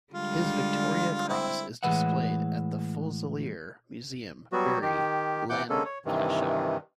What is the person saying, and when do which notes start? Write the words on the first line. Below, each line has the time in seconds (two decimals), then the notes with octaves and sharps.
His Victoria Cross is displayed at the Fusilier Museum, Bury, Lancashire.
0.14 D3 G3 G#3 F4
1.29 C4 E4
1.83 A2 E3 G#3 B4 E5 F#5
4.52 F#3 G3 B3 F#4
4.82 D#3 G4
5.50 C3 E3 F#5 D6 G6
5.69 D3 G#3 A#3 C#4 A4
5.85 C#5
6.05 G2 C3 D#3 E3